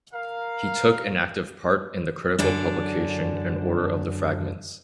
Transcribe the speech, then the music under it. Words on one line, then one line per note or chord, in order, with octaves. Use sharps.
He took an active part in the critical publication and order of the fragments.
A#4 F5
F#2 D3 D4